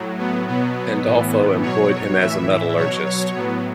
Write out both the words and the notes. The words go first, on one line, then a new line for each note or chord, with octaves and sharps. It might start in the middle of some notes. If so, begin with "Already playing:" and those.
Pandolfo employed him as a metallurgist.
Already playing: A2 F#3
B3
B2 F#3 B3
A2 E3
B2 F#3 C#5
A2 E3 E5
B2 F#3 C#5
C#5
A2 F#3 B3